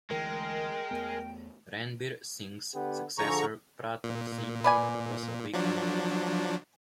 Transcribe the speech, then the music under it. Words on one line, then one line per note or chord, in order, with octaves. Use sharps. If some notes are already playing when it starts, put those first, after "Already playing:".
Ranbir Singh's successor Pratap Singh was a weak ruler.
D2 E3 G#3 A#4 G5
E2 A3 B3
D3 B3 G4
D3 F3 G#4 A#5 C#6
A#2
B4 D5 G#5
F3 F#3 D4